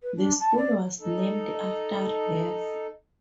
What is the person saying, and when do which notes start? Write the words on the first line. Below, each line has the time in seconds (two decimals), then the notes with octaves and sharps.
The school was named after Rev.
0.02 B4
0.16 D4
0.40 A5
0.57 D5
1.00 D#4 A4